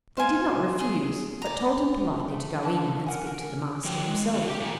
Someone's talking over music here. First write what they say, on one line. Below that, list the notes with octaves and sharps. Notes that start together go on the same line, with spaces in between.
They did not refuse, but told him politely to go in, and speak to the master himself.
C5 F5 G#5
G#4
D5 A#5
A3
F2 D3 A5
A2 D3 C#4
A#4 F#5 G#5
A#4
F3 F#3 C#5 G5
G#3
B3 C4 E4 F#4 A4
G4
A2 E3 E5 F#5 G#5 A#5